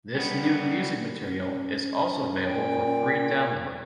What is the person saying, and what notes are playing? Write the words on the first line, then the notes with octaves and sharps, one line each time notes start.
This new music material is also available for free download.
G3 B3
C#4
A#2 G5